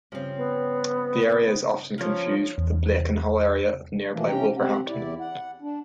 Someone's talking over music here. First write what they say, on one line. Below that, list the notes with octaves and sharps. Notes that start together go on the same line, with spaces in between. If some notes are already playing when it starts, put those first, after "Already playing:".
The area is often confused with the Blakenhall area of nearby Wolverhampton.
G2 C#3 F3 C4
B3
F3 A#3 C#4 C#5
E2
B2 E3 F3 A3 A#3
C3 C#4 G4 G5 A#5
C4 G4 F#5
E2 E4 D5
F#5
D4